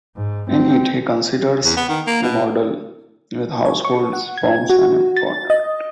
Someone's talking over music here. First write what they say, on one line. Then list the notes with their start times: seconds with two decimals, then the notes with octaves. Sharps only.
In it he considers a model with households, firms and a government.
0.16 G#2
0.50 C4
1.64 E2
1.77 B3
1.89 D#3
2.07 A#3
2.22 B2
3.65 C#5
3.85 C#6
4.13 F#5
4.38 G#6
4.70 F#4
5.17 A6
5.50 D#5